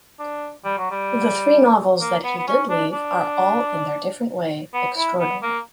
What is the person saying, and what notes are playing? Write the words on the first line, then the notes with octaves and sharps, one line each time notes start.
The three novels that he did leave are all in their different way extraordinary.
D4
G3
F#3
G3
A#3
B3
B3
C#4
D4
D4
B3
E4
B3
A#3